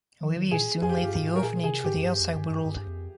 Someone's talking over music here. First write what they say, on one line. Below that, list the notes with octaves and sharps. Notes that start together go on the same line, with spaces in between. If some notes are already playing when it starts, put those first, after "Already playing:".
However, he soon left the orphanage for the outside world.
F3
D#3
A#2 G#4
F2 G#4
G4
F4
G2 G4
G4
G#2
A#4
A#2 G#4
C3 G#4
G#2 G4
F2
G2
F2
G2
G2
G2
F2